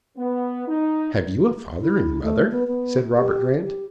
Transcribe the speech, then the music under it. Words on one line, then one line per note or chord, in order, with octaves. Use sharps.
"Have you a father and mother?" said Robert Grant.
B3
D#4
E4
A3
B3
B3
G4
G4